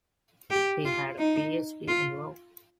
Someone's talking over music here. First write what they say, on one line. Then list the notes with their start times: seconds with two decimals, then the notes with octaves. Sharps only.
He had a PhD in law.
0.51 G4
0.85 F4
1.18 D#4
1.88 F4